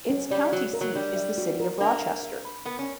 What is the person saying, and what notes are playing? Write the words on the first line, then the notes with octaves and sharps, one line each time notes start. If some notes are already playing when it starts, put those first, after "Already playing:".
Its county seat is the city of Rochester.
C#4
G3 D5
F#3 F#4
A#4
F#3
G3 D4
E5
F#4
A#4
A#3 D4
E5
E5
B5
B3 A#4
C#4